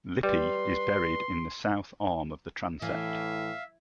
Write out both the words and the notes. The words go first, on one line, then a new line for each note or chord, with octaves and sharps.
Lippi is buried in the south arm of the transept.
G3 B4 C6
A2 E3 E5 F5